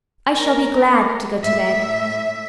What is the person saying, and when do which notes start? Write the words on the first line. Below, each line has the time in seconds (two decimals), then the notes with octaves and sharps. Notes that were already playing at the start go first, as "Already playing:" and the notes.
"I shall be glad to go to bed."
0.36 A#4
1.44 A2 E5